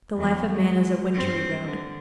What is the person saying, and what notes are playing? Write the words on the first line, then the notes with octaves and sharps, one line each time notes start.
The life of man is a wintry road.
E2 F#3
F#3 G#3
G2 C4
D3